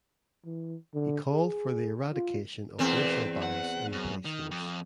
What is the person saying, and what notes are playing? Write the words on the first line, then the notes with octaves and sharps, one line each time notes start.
He called for the eradication of racial bias in the police force.
E3
D3
G#4
F4
E2 C4 A#4 D5
F#5
F#2
D#3
F2